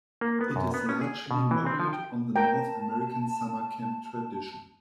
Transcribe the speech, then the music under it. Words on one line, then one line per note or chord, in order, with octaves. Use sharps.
It is largely modeled on the North American summer camp tradition.
A#3
B3
F#2
B3
C#4
G#4
B2
E3
C4
F3
G5
A#4 G5 A5